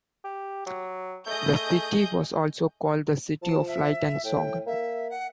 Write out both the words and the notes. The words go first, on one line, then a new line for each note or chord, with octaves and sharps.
The city was also called "The City of Light and Song".
G4
F#3
A3 G#4 D#5 G6
F3 A5
E5
A2 G5
A#3 E5
F#5